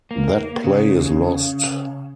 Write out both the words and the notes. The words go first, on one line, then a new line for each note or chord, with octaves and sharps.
That play is lost.
A#3
C#3